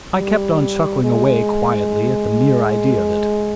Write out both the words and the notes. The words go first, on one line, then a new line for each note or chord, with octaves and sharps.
I kept on chuckling away quietly at the mere idea of it.
G3
G#3